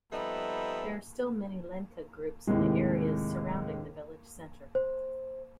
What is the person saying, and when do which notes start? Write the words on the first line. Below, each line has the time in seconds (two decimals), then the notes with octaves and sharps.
There are still many Lenca groups in the areas surrounding the village center.
0.12 F3 G3 B3 D#4 A4 E5
2.47 D#2 A2 C3 G#3
4.75 C5